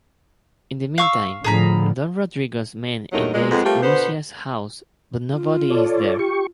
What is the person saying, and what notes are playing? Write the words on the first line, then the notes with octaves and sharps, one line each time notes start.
In the meantime, Don Rodrigo's men invade Lucia's house, but nobody is there.
F5 C#6 E6
A2 D3 F3 G#4 A#5 B5
E2 G2 F#3 A3 D#4 A#4
A#2 G#3
F2 G#3 B3
G3 A3 A#3 C4 F4 G4
B2 D3 B3 C5
F4
A4 C#5 D5
G4 C#6